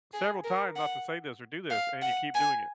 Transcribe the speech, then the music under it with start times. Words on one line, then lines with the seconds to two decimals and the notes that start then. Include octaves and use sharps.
"several times not to say this or do this, and you keep doing it."
0.13 G#4
0.44 A#4
0.76 F#5
1.70 F5
2.02 F#5
2.35 G#5